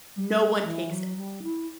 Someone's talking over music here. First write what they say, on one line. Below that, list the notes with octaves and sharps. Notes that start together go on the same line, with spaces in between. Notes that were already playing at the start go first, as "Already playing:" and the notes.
no one takes
G3
E3
F#3
G3
E4